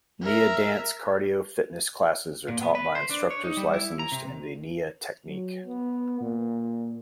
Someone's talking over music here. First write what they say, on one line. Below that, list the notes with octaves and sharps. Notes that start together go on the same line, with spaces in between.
Nia dance cardio fitness classes are taught by instructors licensed in the Nia Technique.
A#4 E5
A#2
B3
B4
C5
D4
C#5
D#4
G3
E4
A#5
C3
F#3
B3
A#2